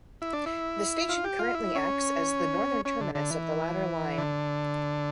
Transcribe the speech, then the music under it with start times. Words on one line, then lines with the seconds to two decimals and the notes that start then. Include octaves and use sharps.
The station currently acts as the northern terminus of the latter line.
0.22 E4
0.33 D4
0.46 E4
1.09 F4
1.24 G4
1.39 F4
1.54 E4
1.75 C#4
2.85 C#4
3.01 D3
3.15 D3
3.30 E3
4.18 D3